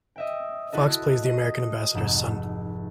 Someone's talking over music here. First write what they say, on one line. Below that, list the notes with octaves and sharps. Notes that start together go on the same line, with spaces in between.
Fox plays the American ambassador's son.
D#5 E5 G5
E4 F#4 A4 D#5
D#5
F1 G#2 E7